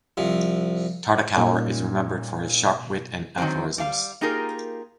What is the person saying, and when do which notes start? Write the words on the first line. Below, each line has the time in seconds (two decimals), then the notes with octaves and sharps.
Tartakower is remembered for his sharp wit and aphorisms.
0.17 C2 C3 F3
1.36 A#2 G3 C#4 D#4
2.62 B2
3.38 D#3 F#3 C4
3.78 G3 F5
4.21 A#3 D#4 F4 G4 G#4 A#4